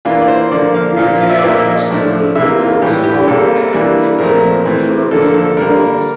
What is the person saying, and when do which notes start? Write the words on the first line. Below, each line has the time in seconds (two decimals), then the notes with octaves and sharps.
Retail customers report slow and indifferent service on bugs.
0.05 E3 A#3 D4 F4
0.22 D5
0.28 C5
0.51 D3 F3 A#3 D5
0.75 F5
0.97 A#2 F3 A#3 D4 F5
1.21 F5
1.30 E5
1.39 D5
1.44 A#2 F3 A#3 E5
1.89 A2 F3 A3 D4
2.36 C3 E3 A#3 E5
2.59 F4
2.82 A2 E3 G3 G4
3.04 G4
3.27 C3 G3 A#3 A4
3.73 E3 G3 A#3 D4
4.19 A#2 F3 A3 C4 A#4
4.65 E3 A3 C4
5.11 D3 F3 A#3 D4 A4
5.34 A4
5.57 D3 G3 A#3 D4 A#4